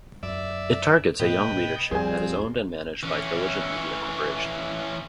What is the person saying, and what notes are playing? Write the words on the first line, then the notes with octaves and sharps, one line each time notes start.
It targets a young readership and is owned and managed by Diligent Media Corporation.
F#2 D5 E5
A2 C3 A#3 B4 D#5 G5
A#1 F2 G3 C4 G#4 G#5
E3 C#4